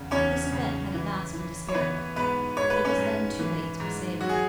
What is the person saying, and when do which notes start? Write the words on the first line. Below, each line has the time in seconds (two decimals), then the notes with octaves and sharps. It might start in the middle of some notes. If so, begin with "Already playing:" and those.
This event had at last been despaired of, but it was then too late to be saving.
Already playing: E2 C#3
0.11 E2 C#4 C#5
0.52 C#3
0.94 E3
1.34 E3
1.68 C#5
1.75 E3 B3 B4
2.16 G#2 B3 B4
2.57 G#2 C#5
2.70 B4
2.85 C#4 C#5
2.97 G#2
3.39 E3
3.80 G#2
4.21 F#3 F#4
4.29 G#4